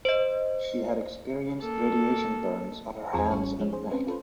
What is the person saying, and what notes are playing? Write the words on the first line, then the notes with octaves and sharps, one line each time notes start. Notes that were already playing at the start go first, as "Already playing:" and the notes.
She had experienced radiation burns on her hands and neck.
C5 D#5
A#3 A4
E2 F3 C4 F4 G#4 C#6
G#1 G3 C#4 F4 C#5 C#6
F3 G#3 C#4
G#4 C5
C4 C#4 B4
F4 A4 B4 C5